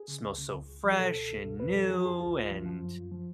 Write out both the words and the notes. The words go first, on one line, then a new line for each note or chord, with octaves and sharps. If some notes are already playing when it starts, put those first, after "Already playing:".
smells so fresh and new, and,
Already playing: G#4
C#3
C#2
C#3
C#2
C#2
F3
G#4
B2 A4
C#2
C#2
B2
F2 B4
F3 A4
F3 G#4
F#4
F2 G#4
C#2 F4
C#2
F3
F3
F#2
F#2
F3